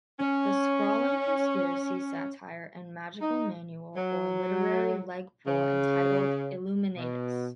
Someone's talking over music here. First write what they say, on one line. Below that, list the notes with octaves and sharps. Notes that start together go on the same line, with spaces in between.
The sprawling conspiracy satire and Magickal manual or literary leg-pull entitled the Illuminatus!
C#4
D#4
F#3
C#3
B2